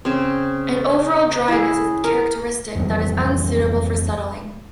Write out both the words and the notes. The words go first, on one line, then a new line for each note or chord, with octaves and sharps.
An overall dryness is characteristic that is unsuitable for settling.
C#3 C4
E4 G#4
A#4
F2 E3 G3 B3